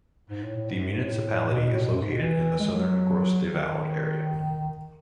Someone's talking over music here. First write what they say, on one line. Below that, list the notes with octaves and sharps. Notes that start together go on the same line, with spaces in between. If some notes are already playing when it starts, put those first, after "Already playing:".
The municipality is located in the southern Gros-de-Vaud area.
G#2
A2
A2
G#2
F#2
G#2
A2
B2
B2
A2
B2
F#2
G#2
B2
E3
G#3
F#3
D#3